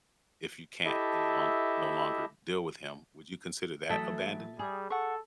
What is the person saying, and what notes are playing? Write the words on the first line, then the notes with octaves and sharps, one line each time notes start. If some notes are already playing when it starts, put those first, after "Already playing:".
if you can't any longer no longer deal with him? Would you consider that abandonment?
E4 G4 A4 D#5 E5 A5
E3 F#3 A3 A4 E5 D#6
G3 G#4
A4 F#5 C#6